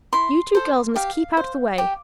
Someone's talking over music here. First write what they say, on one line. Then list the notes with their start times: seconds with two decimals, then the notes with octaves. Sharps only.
You two girls must keep out of the way.
0.13 E4 C6
0.55 A4 C5
0.96 G4 F5
1.37 C5
1.78 G4